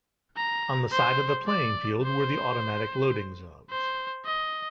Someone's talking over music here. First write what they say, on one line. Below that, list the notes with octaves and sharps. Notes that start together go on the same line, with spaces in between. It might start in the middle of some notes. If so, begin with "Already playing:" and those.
On the side of the playing field were the automatic loading zones.
A#5
C5
D5
C5
C5
D#5